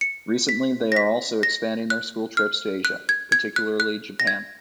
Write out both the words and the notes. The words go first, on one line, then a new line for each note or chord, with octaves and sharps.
Recently they are also expanding their school trips to Asia, particularly Japan.
C#7
B6
A#6
B6
A#6
F#6
F6
F#6
G#6
G#6
F#6
F#6
A#6
G#6